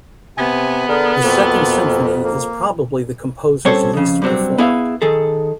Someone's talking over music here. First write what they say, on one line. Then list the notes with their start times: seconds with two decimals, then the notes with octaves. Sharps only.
The Second Symphony is probably the composer's least performed.
0.37 C3 B3 G#5
0.89 D3 G#4 A#4
1.24 F2 B2 A#3 C4
2.24 A#3
3.65 G3 C4 C#4 A4 C5 C#5
3.94 F2 C#3
4.22 G2 C3 F#3 C4
4.58 B3 E4 G#4 E5 F5
5.02 D#3 G#4 A4